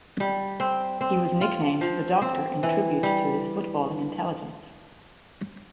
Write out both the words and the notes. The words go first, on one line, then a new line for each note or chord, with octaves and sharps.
He was nicknamed "The Doctor" in tribute to his footballing intelligence.
G3
C4
C4
F4
F3
C4
E3
G3